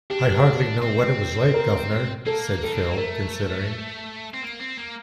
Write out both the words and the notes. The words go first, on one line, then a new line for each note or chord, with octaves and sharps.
"I hardly know what it was like, guv'nor," said Phil, considering.
D4 G4
C4
A#4
A#3 A4
D#4 A4
D4
C4
A#3
A3 A#4
C4
A#3
C4
A#3